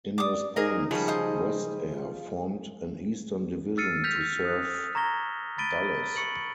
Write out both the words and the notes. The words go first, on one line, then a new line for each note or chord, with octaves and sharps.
In response, WestAir formed an eastern division to serve Dulles.
D5 D6 D#6
D#4 G#4 A#4 D#5
C#3 F3 G3 G#3 C#5
C5 D#5
F4
E6 F6 A6 C7 C#7 D#7
F6 G6 A#6 B6 F7
D#6 F#6
A#5 C#6 G#6 A#6 G7
B5 A6 B6 D7 D#7 G7
C#6 C#7 F#7